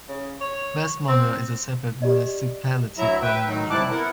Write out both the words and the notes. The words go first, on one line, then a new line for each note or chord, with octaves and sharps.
West Monroe is a separate municipality from Monroe.
C#3
C#5
C4
G4 D5 D#5
D2 F#3 E4 E5 A#5
B4 E5 G5
D#3 F#3 D#4
C3 G3 E4 A5 D6 F#6
B3 E4 A#4 F#5